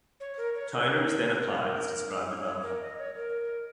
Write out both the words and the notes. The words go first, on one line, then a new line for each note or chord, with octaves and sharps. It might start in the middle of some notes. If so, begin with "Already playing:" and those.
Toner is then applied as described above.
C#5
A#4
C#5
A#4
C#5
A#4
C#5
A#4
C#5
A#4
C#5
A#4
C#5
A#4
C#5
C#5
A#4
D#5
C#5
A#4